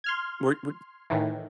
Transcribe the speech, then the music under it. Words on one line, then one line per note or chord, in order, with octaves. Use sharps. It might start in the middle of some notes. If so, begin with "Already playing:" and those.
Were were
C6 F6 G#6
A2 D#3 E3